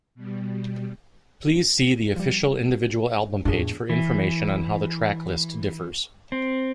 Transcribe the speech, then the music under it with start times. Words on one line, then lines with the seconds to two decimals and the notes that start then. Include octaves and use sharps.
Please see the official individual album page for information on how the tracklist differs.
0.15 B2 G3
2.16 F3 G3
3.45 E2 A2 D4 F4 G#4
3.89 E3
6.32 C4